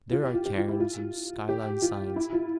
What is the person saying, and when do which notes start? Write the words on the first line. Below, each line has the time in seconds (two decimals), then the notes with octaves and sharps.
There are cairns and skyline signs.
0.12 F4
0.23 G4
0.34 F4
0.46 G4
0.58 F4
0.69 E4
0.80 F4
1.49 G4
1.82 F4
2.16 E4
2.33 F4